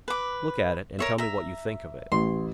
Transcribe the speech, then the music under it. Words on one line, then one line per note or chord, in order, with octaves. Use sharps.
"Look at it, and tell me what you think of it."
B4 D6
A#4 C#5 E5
E5 A#5
A1 C6